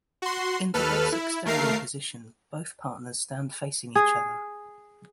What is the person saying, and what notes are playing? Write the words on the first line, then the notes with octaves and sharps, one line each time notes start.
In the basic standing position, both partners stand facing each other.
F#4 C6
D#2 A4 B4 F6
E4
D#2 A3 A#4 F5 C7
G#4